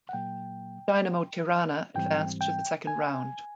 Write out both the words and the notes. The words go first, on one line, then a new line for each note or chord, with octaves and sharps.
Dinamo Tirana advanced to the second round.
F#5
A#2 F#3 A#3 G5
G#2 E3 G3 C4 G5
G5
G#5